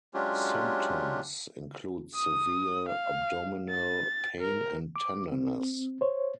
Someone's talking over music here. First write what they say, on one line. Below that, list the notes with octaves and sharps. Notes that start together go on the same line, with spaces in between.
Symptoms include severe abdominal pain and tenderness.
F#3 G#3 C#4 D4 F4 G4
D#6
F5
A6
A#4
D6
C4
C5 C#5